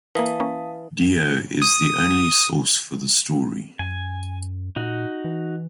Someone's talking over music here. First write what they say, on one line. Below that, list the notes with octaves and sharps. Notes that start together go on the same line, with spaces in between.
Dio is the only source for the story.
E3 A#3 A#4 F5 A5 D#6
A#3 C#4
D#6
F#2 G#5
A#2 D#4 F#4
E3